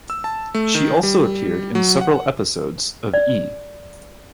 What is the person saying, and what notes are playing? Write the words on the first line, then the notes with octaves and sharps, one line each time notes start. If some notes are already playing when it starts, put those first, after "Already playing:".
She also appeared in several episodes of E!
E6
A5
A3
D#3
G3
F#3
F#5
D5